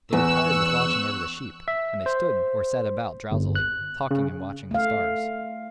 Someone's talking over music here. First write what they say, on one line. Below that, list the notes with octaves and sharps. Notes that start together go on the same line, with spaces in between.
They were tired with watching over the sheep, and they stood or sat about, drowsily, talking and watching the stars.
E2 C#6 E6 F#6
E5
C5
G1
F#6
C#3
A3 F5